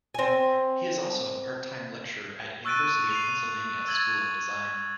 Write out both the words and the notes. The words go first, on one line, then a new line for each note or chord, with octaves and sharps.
He is also a part-time lecturer at University of Pennsylvania School of Design.
C4 G#5
C#6 E6 F#6 A6 D7 D#7
C7 D#7 F7
E6 G#6 A6 F#7